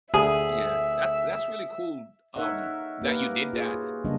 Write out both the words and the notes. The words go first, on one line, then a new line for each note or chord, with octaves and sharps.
Yeah, that's that's really cool, um, that you did that,
D2 G#4 E5
D#4 A#4 C#5 E5 F#5
A#3 G4 A#4 B4
F4 G#4 C#5
F#4
C#3 F#3 G3 A#3 D4 D#5